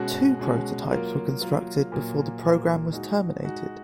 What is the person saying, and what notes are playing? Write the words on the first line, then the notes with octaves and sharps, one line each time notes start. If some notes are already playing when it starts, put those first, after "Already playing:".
Two prototypes were constructed before the program was terminated.
Already playing: B2 G#3 C#4 F#4
B2 G#3 C#4 F#4
F#3 A#3 F4 A#4
F#3 A#3 F4 A#4
A#2 F#3 A#3
A#2 F#3 A#3
G#3 D#4 F#4
G#3 D#4 F#4